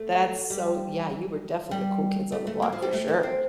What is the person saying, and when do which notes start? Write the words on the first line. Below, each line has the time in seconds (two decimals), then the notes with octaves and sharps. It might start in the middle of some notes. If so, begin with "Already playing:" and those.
That's so Yeah, you were definitely the cool kids on the block, for sure.
Already playing: A3
0.50 G3
1.71 G3
2.32 A3
2.47 A3
2.62 A#3
2.73 F3
2.82 G3
2.93 A3
3.08 A3
3.23 C4